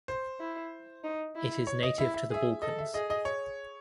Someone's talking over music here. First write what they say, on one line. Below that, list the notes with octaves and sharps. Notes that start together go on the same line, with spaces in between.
It is native to the Balkans.
C5
E4
D#4
E4
C#5
D#5
E4 E5
E5
G#4 E5
A4 D#5
E5
G#4 D#5
D#5
C#5